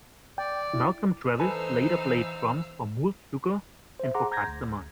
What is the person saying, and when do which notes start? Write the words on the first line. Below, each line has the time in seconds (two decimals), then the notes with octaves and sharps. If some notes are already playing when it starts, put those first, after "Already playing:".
Malcolm Travis later played drums for Mould's Sugar, and for Kustomized.
0.38 D5 G5
0.73 E4
1.39 E3 D#4 A4 B4 C5 F5 G#5 E6
4.00 C5 E5
4.14 G#4 F#5 A#5 C6 D6
4.31 A#5 G6 G#6 A#6
4.48 D2